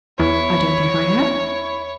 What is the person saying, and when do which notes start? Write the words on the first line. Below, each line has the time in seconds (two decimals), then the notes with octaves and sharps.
I don't think I have.
0.19 E2 E4 C#5